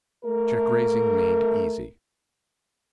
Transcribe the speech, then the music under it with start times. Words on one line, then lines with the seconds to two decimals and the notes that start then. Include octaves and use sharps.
Check-Raising Made Easy.
0.25 A3 A#4